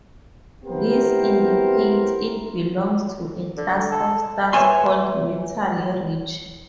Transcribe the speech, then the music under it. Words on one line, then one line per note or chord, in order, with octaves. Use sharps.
This indicates it belongs to a class of stars called metal-rich.
B3 C4 E4 G4 A#4 C5
D3
A4
B4 C#5 E5 G#5 C6